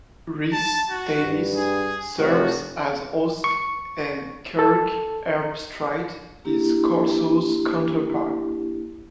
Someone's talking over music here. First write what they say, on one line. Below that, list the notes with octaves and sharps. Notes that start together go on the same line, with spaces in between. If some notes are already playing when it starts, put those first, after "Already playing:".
Rece Davis serves as host and Kirk Herbstreit is Corso's counterpart.
A5
F#4
G2
G#4
F1 F#4
C#6
A4
A#3 D4 E4 G4